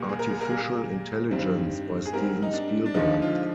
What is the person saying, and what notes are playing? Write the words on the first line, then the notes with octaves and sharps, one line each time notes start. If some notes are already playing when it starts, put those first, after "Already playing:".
Artificial Intelligence by Steven Spielberg.
Already playing: C2 A#2 G3 A#3
G#4
A#4
G#4
A#4
A#2 G3 A#3 G#4
G2 D#3 G3 C4
G#4
G#2 G3 C4 A#4
D#4
D4
D4
D#2 D3 F3 G#3 D#4
F4